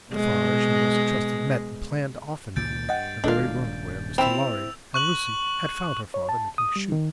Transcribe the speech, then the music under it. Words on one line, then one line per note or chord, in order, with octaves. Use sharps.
Defarge and those he trusted met and planned often in the very room where Mr. Lorry and Lucie had found her father making shoes.
B2 G#3
C#2 A#2 D#3 G6 A6 D7
G2 D#5 F#5 G5 G6 A6
D#1 G#3 D4 F4 A4 D#5 F5
C4 E4 G5 B5 E6 F7
C#6 F#6 F#7
C#5
A5
D#6
G3
D#3